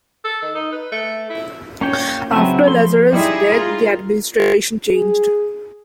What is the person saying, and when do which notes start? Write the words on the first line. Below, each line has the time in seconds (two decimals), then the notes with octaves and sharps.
After Lazarus' death the administration changed.
0.24 A4
0.42 D#3
0.55 D#4
0.72 B4
0.92 A3
1.29 E4
1.81 A#3 C#4 C#5 G5
2.31 C#3 F#3 C4 B4 E5
2.68 F3 A3 C6
3.13 G3 D#4 E4 G#4
3.52 F4 A#4
4.88 G#4